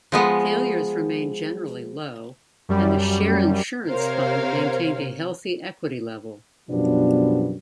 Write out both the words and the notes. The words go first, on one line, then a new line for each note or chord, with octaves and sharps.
Failures remained generally low, and the Share Insurance Fund maintained a healthy equity level.
F3 G#3 B3
F#2 G3
C3 A#4 C5 C#5 F5
F#2 B2 F3 G3 B3 D4